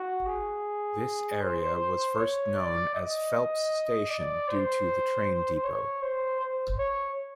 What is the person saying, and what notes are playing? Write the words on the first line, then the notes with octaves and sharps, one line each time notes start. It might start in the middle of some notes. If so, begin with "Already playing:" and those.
This area was first known as Phelps Station due to the train depot.
Already playing: F#4
G#4
C5
C#5
D5
D#5
D5
C5
C#5
C5
C5
C#5